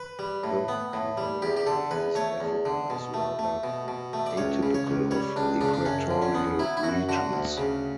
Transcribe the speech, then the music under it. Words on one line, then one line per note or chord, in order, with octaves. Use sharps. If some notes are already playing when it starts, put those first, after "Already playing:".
The climate of East Africa is rather atypical of equatorial regions.
Already playing: B4
G3
A2
B3
A2
G3
E2 G4
G4
D3 A4
E2 B4
A3 C#5
E2
D3
B2
A3
A3
B2
B2
A3
D5
C#2 C#5
C#3
C#5
C#2
G3 C#5
C#2 D4
C#3 D4
D4
F#2 C#4
D3
C#4
B3
F#3 E4
E4
F#2 F#4
D3 F#4
D2
C#3